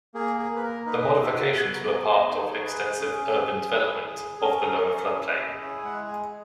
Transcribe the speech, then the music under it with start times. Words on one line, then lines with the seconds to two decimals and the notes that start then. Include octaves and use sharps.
The modifications were part of extensive urban development of the lower floodplain.
0.15 A#3 G#4
0.39 G#4
0.51 A#3 B4
0.62 A#4
0.86 D#4 B4
1.22 F#4 E5
1.57 B3 F#5
1.75 A#5
1.92 B3 G#5
2.11 D#5
2.28 D#4 C#5
2.46 C#5
2.64 G#4 B4
2.99 C#4 G#4
3.35 C#4
3.71 E4
4.06 G#4
4.38 G#4
4.42 C#4 A#4
4.77 C#4 A#4
5.13 E4 C#5
5.36 D#5
5.49 G#4
5.61 C#5
5.77 G#5
5.84 G#3 F#5
6.08 G#5
6.20 G#3